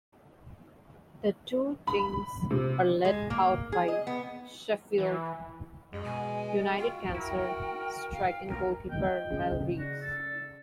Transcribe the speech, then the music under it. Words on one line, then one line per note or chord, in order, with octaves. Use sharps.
The two teams are led out by Sheffield United's cancer-stricken goalkeeper Mel Rees.
B5
C3
G#3
A#3
G#4
D#5
B3
E3
F#2 G#3
B2 G#5
F4 F#4 G5
E4 A#4
F5
B1 A#4
D#5 G5
C#3
F#4 D5
A4